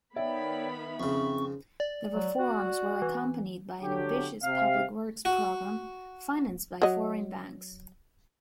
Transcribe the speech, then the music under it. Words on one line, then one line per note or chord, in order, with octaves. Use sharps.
The reforms were accompanied by an ambitious public works program, financed by foreign banks.
D#3 B3 C#5 D5 E5 G5 B5
F2 C#3 C4 C#6
D5
F#3
F#4
E3
D3 F#3 G4
C3 F5
F#4
F#3 D#5